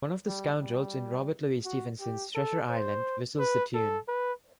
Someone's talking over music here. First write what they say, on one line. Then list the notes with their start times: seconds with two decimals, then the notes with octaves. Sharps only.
One of the scoundrels in Robert Louis Stevenson's "Treasure Island" whistles the tune.
0.27 G3
0.62 G3
1.65 F#4
2.00 G4
2.35 A4
2.70 C5
3.39 B4
3.74 A4
4.08 B4